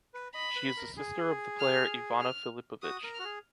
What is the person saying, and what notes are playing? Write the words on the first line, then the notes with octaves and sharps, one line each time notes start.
She is the sister of the player Ivana Filipović.
B4
D#5 B5
B4
A#4
G#4
F6
F6
F#4 D#6
A#4
F6
F#4
G#4